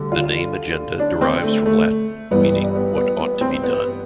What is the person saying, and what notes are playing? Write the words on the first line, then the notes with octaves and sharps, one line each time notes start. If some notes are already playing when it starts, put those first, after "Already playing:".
The name Agenda derives from Latin meaning "what ought to be done".
Already playing: D2 D3 G3
F4
D4
C4
A3
A3
G1 G2 E3 G3 B3
B3
B3
B3
C4
B3